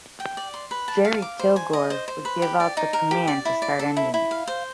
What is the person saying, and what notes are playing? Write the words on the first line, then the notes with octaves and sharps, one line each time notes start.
Jerry Kilgore would give out the command to start engines.
G5
D5
C6
B4
A5
F5
D6
C5
G#5
D#5
C5
C5
B4
G4
D5
D#4
A#4
G4
D5
E4
D5
A4
E4
E4
F5
C5